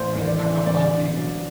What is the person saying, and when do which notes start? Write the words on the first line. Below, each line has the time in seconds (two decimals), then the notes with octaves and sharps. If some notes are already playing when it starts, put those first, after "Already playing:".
rather talk about fun things,
Already playing: A1 A2 E3 C5 D5
0.15 A1
0.27 D5
0.41 E3
0.66 A1 D5
0.92 D3
1.17 F#3